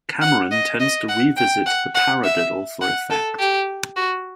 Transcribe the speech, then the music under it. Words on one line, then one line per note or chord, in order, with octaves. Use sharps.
Cameron tends to revisit the paradiddle for effect.
F#5
D#5
D#5
F#5
G5
F#5
F#5
E5
F#5
A4
G4
F#4